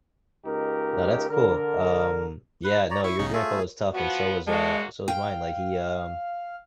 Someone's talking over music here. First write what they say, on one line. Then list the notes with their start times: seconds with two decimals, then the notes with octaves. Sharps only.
No, that's cool, um, yeah no, your grandpa was tough and so was, uh so was mine, like, he, um
0.45 C#2 D#4 G4 A#4
1.28 D3 A#4
2.64 B4
2.90 C#5 D5 A#5
3.04 E4 C#6
3.19 B1 C#3 D#4
3.34 A3 F4 G#4 E5
3.94 F3 B3 F#4
4.47 G#2 G#3 A#3 F#4 A4
5.08 F5 G5